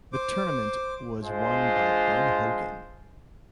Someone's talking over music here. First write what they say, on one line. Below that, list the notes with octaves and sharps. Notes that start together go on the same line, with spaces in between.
The tournament was won by Ben Hogan.
C5 D6
G#3 D4 F4 C5